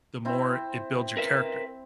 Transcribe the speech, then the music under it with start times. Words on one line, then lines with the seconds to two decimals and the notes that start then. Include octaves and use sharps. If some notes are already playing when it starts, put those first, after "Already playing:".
the more it builds your character,
0.25 C4 E4
1.17 A#4 B4 E5